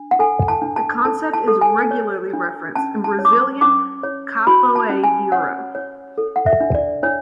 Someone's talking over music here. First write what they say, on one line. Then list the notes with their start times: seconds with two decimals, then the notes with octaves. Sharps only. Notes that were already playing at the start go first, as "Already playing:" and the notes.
The concept is regularly referenced in Brazilian capoeira.
Already playing: D4
0.11 F#5
0.19 A4 G#5
0.48 A5
0.62 D4
0.76 A5
1.05 A4 A5
1.33 A5
1.48 A4
1.61 G#5
1.91 C#5
2.34 D4
2.76 C#4 A5
3.04 A5
3.19 C#5
3.25 D6
3.33 C#6
3.61 C#4 D6
4.03 C#5
4.47 F#4 B5
4.76 A5
4.90 C#4
5.04 G#5
5.32 C#5 F#5
5.75 C#5
6.18 A4
6.36 F#5
6.46 E5
6.60 D4
6.75 D5
7.03 D4 C#5